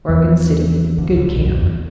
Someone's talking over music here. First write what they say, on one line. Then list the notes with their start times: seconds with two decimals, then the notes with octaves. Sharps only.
Oregon City.--Good camp.
0.08 E2 E3
0.98 D2 D3
1.17 D2 D3
1.34 B1 B2
1.46 F#2
1.58 E2